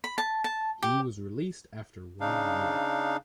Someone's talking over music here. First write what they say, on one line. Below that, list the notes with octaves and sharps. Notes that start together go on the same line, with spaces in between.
He was released after one year.
B5
A5
A5
G4
C#3 D4 D#4 F5